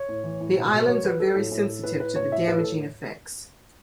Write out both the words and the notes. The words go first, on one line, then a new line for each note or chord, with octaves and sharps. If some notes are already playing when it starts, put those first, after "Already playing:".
The islands are very sensitive to the damaging effects.
Already playing: C#5
A2
E3
A2
B2
B2
F#3 C#5
F#3 B4
F#3 A4
A2
A2
A2
A2 B4
A2 B4
A2 C#5
A2 E5
A2 B4
A2 A4